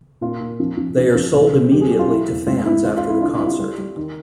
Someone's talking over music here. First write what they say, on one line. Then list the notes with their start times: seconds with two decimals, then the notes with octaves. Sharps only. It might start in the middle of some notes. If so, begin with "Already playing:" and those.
They are sold immediately to fans after the concert.
0.21 A#2 F4
0.41 A#2
0.60 F3
0.77 F3
0.97 F3
1.15 F3
1.34 B2 F4
1.53 B2
1.72 F#3 G4
1.81 G#4
1.91 F#3 G4
1.99 F4
2.09 E3 E4
2.28 E2
2.47 G#2 F4
2.65 G#2 E4
2.84 E3 F4
2.97 F4
3.04 E3
3.09 E4
3.22 D3 F4
3.34 E4
3.40 G3
3.46 F4
3.59 G3
3.78 G3
3.96 D#3